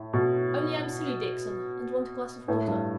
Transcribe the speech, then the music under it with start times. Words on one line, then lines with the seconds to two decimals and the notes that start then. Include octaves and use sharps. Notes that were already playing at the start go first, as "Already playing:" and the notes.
Only I'm silly, Dixon, and want a glass of water.
Already playing: A2
0.13 B2
2.48 A2
2.67 G2